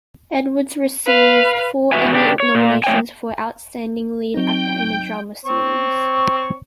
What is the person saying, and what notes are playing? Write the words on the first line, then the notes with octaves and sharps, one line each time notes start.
Edwards received four Emmy nominations for "Outstanding Lead Actor in a Drama Series".
B4 F5
E2 A2 F#4 B4 E5 G#5
C#3 D4 G4
C#5
A#2
A3 C#5 G5 G#5
F#3 C4 D#4 G5 G6
C4 C#5